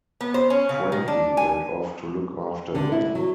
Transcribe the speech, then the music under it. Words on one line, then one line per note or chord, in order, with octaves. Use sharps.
Frankie went off to look after her.
B3
C5
C#4
C#3
D#3
D4
G#5
D3
E4
F#3